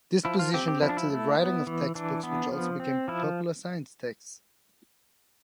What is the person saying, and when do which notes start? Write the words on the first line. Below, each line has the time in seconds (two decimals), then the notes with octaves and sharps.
This position led to the writing of textbooks which also became popular science texts.
0.25 F3 E4
0.39 F4
0.54 C4 G4
0.68 G4
0.81 F3 E4
0.89 D4
0.97 E4
1.10 A3
1.39 B3
1.67 E3
1.95 E3 D4
2.23 B3
2.51 F3
2.80 C4
3.08 F3 E4